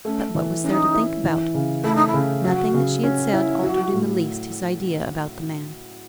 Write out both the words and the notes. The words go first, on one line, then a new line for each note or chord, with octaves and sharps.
But what was there to think about? Nothing that she had said altered in the least his idea about the man.
A3 C#4
E3
C#4 D#4
E4
E3
C#3
A3 E4
D#4
E4
C#3
F#3 F#4
C#3
C#4
E4
F#3 F#4
A2